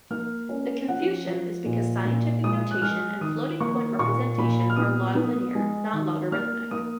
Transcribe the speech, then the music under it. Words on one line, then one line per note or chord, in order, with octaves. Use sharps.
The confusion is because scientific notation and floating-point representation are log-linear, not logarithmic.
A#3 F6
C#4
F3 F#5
F3
A#2
A#2
G#3 D#6
F#6
G#3 F6
D#3 D#6
A#3 C#6
A#2 C#6
A#2 B5
F6
B3 D#6
B3
G#3
D#3
A#3 F6
A#3 D#6